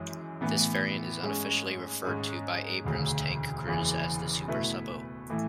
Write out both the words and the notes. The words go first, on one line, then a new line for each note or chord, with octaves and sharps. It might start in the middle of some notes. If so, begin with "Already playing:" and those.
This variant is unofficially referred to by Abrams tank crews as the "super sabot".
Already playing: F#2 E3 G#3
A2 E3 B3
G#2 G#3 C#4
G#2 G#3 C#4
E1 D2 C#3
F#1 E2 C#3 E3
B2 A3 E4 B4
A2 E3 A3 E4